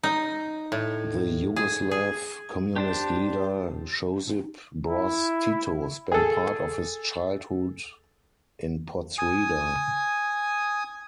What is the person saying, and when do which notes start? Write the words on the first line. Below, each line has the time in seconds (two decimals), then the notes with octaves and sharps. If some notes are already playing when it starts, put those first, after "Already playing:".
The Yugoslav Communist leader Josip Broz Tito spent part of his childhood in Podsreda.
0.03 D#4
0.72 A2
1.56 G#4
1.91 G#4
2.76 D4 G4 C5 A5
4.88 E4
6.12 G#4 A4
9.18 G#5 D#6